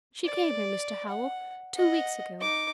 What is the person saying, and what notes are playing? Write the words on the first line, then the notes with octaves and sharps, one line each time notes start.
She came here, Mr. Howell, two weeks ago.
D5
F#5
D#5 F#5
D#4 D6